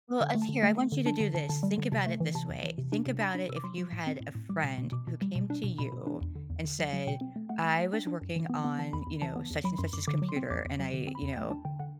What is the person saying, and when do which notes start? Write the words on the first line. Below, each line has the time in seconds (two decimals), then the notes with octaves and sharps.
Well, uh, here, I want you to do this, think about it this way, think about it if you had a friend who came to you and said, "I was working on, you know, such and such's computer and I, you know
0.20 D3 G5
0.35 A3
0.42 A5
0.49 D3
0.63 A3
0.77 A3
0.92 D3
1.06 D4 A5
1.20 D3 A5
1.35 D3 A5
1.49 D3 A5
1.63 G3
1.78 D3
1.92 C3 A5
2.06 A3
2.20 E3
2.35 C3 A5
2.49 E2
2.64 E3
2.78 C3
2.92 D4
3.06 C3
3.20 D4 B5
3.35 D4
3.49 C3 E6
3.56 D6
3.64 F#3 C6
3.78 F#3
3.92 A2
4.07 C4
4.20 A2
4.35 A2
4.49 G3 D6
4.63 B2
4.78 B2
4.92 B2 D6
5.07 B2
5.22 G3
5.35 B2
5.50 D4
5.64 B2
5.78 B2 B5
5.92 B2
6.07 D4
6.21 E2
6.35 D3
6.50 E2
6.64 D3
6.79 F#3
6.93 F#3
7.07 B2 G5
7.21 C4
7.36 A3
7.49 A3 F#5
7.64 A3
7.79 A3
7.93 D4 G5
8.07 D4
8.21 F#2
8.36 E3
8.50 B3
8.65 B3
8.79 E3 A5
8.93 E2 B5
9.07 E2
9.22 E3 A5
9.36 B3
9.51 E2
9.64 F#3 B5
9.78 F#2 C6
9.93 F#2 D6
10.08 D3 D6
10.22 F#3
10.29 C6
10.36 C4
10.50 E2 D6
10.65 E2
10.79 F#3
10.94 D3
11.07 C4
11.15 B5
11.22 E2
11.37 A3 G5
11.50 D4 A5
11.65 D3 G5
11.79 D3 F#5